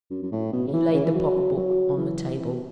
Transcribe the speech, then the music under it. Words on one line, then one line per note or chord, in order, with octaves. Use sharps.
He laid the pocket-book on the table.
F#2
F#2
A2
B2
C#3
E3
C#3
E3
F#3
F#3
E3
E3
B2